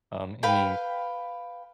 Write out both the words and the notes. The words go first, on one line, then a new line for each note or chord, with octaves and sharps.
um, I mean,
B4 F5 G5 B5